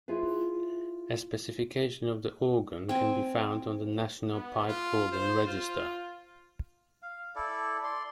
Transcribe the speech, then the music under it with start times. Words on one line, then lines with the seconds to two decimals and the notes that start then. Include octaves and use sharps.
A specification of the organ can be found on the National Pipe Organ Register.
0.08 E4 F4 G#4 B4
2.89 C4 G#5
4.33 B3
4.68 F4
5.12 C5
5.47 F4
7.02 F5
7.35 E4 A4 D5
7.84 D5 C6